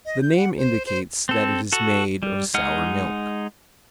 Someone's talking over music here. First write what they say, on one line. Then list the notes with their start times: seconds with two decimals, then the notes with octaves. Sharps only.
The name indicates that it is made of sour milk.
0.06 D#5
0.21 G6
0.36 F#5
0.57 C5
0.86 C5
1.29 C4 A4
1.73 F#4 A4
2.23 G3
2.54 G#3 D#4 F#5 F6